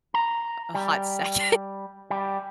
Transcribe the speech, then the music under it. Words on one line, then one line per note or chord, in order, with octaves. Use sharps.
a hot second,
A#5
G3
G3